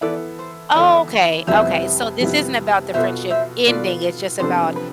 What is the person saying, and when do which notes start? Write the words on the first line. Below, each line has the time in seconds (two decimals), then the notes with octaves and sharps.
Oh, okay, okay. So, this isn't about the friendship ending. It's just about
0.01 E3 B3 E4 A4 B4 D5
0.39 C5
0.74 E3 B3 E4 A4 B4 D5
1.47 F2 C3 G3 B3 E4 C5 E5
2.20 F2 C3 G3 B3 E4
2.94 B2 B3 F4 A4 C5 E5
3.30 C5 E5
3.67 B2 B3 F4 A4 B4 D5
4.40 C3 F3 B3 D4 A4 C5
4.76 B4